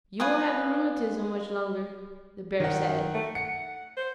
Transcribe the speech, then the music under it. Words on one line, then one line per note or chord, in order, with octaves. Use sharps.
"You won't have the rheumatism much longer," the bear said.
F4 B4 G#5 D#6
D#3 F#5
A3
F#5 C#7
C5